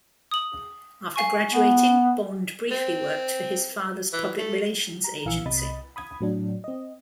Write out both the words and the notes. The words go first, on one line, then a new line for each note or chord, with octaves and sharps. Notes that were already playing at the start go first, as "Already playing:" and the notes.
After graduating, Bond briefly worked for his father's public relations agency.
D#6 F#7
F5 G#5 C#6
B3
C4
E3
A3
A#5
A#1 E3 F5 G#5 E6 C#7
C2 C3 D#5 B5 D#6 A6
B5 D#6 G#6
A2 F#3 D4
C4 D#5